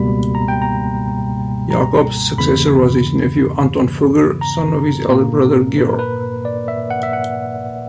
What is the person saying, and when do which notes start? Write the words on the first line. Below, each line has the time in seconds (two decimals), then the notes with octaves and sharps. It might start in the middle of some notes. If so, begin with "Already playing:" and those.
Jakob's successor was his nephew Anton Fugger, son of his elder brother Georg.
Already playing: C#2 B2 G3 A#3 B5
0.35 A#5
0.48 G5
0.62 A#5
1.71 A#5
2.38 E2 C#3 E3 A#3 B5
4.41 A#5
5.09 A#2 A#3
5.78 B4
5.88 A#4
5.99 B4
6.45 D5
6.68 E5
6.90 F#5
7.03 E5
7.13 F#5